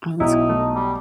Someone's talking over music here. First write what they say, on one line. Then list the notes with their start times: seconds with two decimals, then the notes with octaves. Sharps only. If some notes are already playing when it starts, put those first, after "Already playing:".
Oh, that's cool.
0.20 B1 D#4 E4
0.49 A3
0.75 G3